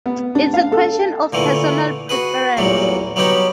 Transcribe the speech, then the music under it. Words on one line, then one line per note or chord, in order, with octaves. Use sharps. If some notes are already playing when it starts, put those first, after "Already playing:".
It's a question of personal preference.
B3
D4
F5
A4
A#2 D3 E3 A3
F#4 G#4 B4
A1 E2 A#2 F#3 G3
F#3 G3 B3 D#4 G4 C#5